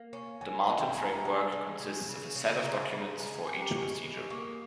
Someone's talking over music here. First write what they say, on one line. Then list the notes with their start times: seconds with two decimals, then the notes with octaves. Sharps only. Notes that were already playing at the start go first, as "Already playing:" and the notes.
The Martin framework consists of a set of documents for each procedure.
Already playing: A#3
0.13 C#4
0.41 E3 G#5
0.64 D#5
0.69 E3 E5
0.81 G5
0.89 G#5
0.97 G#3 A#5
1.13 A#5
1.25 G#3 G#5
1.52 G#3
1.80 G#3
2.08 C#3
2.36 C#3
2.64 C#3 A#5
2.83 B5
2.91 C#3
3.01 A#5
3.19 G#3 A#5
3.33 G#5
3.47 G4 G#5
3.62 A#5
3.75 G#3 C#6
3.89 C#6
4.03 G#3 B5
4.17 C#6
4.30 A#3 C#6
4.42 D#6